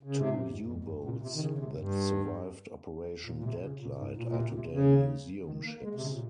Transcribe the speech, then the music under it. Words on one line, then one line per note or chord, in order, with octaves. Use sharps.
Two U-boats that survived Operation "Deadlight" are today museum ships.
C#3
C3
A#2
G#2
F2
G2
A#2
C3
D#3
C#3
C#3
C3
G2
A#2
A#2
C3
C#3
A#2
G#2
A#2
A#2
C3
C3
C#3
D#3
A#3
G#3
C3
C#3
A#2